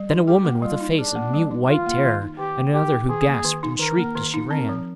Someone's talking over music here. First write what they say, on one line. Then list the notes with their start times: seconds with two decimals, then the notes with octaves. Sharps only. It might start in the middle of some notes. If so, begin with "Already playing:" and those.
Then a woman with a face of mute white terror, and another who gasped and shrieked as she ran.
Already playing: G3
0.10 D#4
0.27 G4 G#4
0.45 A#3
0.62 G3 F4
0.81 D#4
0.98 D4 G#4
1.16 A#3
1.33 G3
1.51 D#4
1.69 D#3 F4
1.86 A#3
2.03 D#3
2.21 D#4
2.39 D#3 G4
2.56 A#3
2.74 D#3 G4
2.91 D#4
3.09 D#3 G#4
3.27 A#3
3.45 D#3
3.63 D#4
3.80 D#3 A#4
3.98 A#3
4.15 D#3
4.34 D#4
4.50 C4 A#4
4.69 F3